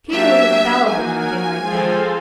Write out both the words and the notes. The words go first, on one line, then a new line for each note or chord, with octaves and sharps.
Peter was infallible in a thing like that.
F#3 A#3 D4 G4 E5
F#3 A#3 D#4 F#4 A#4 G#5
F3 G#3 C4 F4 A4